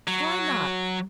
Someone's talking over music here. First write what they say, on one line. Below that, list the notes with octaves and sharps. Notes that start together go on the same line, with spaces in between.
Why not?
F#3